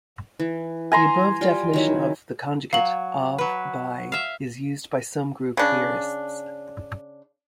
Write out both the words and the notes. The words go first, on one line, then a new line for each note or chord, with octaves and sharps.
The above definition of the conjugate of by is used by some group theorists.
E3
G#5 A#5 C6
G3 F4 G5
D#3 F#3 E4
F#3 F5 F#7
F#3 B4
E5 F5
C#3 D4